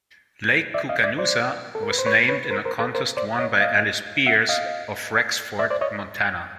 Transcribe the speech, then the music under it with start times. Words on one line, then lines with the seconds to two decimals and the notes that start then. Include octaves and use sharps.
Lake Koocanusa was named in a contest won by Alice Beers of Rexford, Montana.
0.74 D5 E5
0.89 D#5 F5
1.04 D5 E5
1.18 C5 D5
1.75 A4
1.83 A#4
1.91 B4
1.98 C5
2.06 B4 C#5
2.29 B4 C#5
2.50 A#4 C5
2.65 A#4 C5
2.80 A4 B4
2.95 A#4 C5
3.17 C5 D5
3.39 C#5 D#5
3.60 D#5 F5
4.26 E5 F#5
4.49 D#5 F5
5.59 D5 E5
5.70 C5 D5
5.81 C#5 D#5